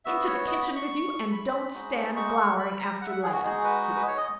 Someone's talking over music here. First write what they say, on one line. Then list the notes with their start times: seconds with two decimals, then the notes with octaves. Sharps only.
'Into the kitchen with you, and don't stand glowering after lads', he said.
0.05 B3 F#4 E5
0.27 C#5
0.47 D#5
0.62 B5
0.75 C#6
1.32 B5
1.74 G#3 D#4 F#4
2.16 C#6
2.59 B5
2.79 A#5
3.01 F#5
3.07 E5
3.12 F#5
3.23 G#4
3.33 F#4
3.43 G#3 D#4 F#4 G#4
3.64 B4
3.96 B4
4.07 C#5
4.17 D#5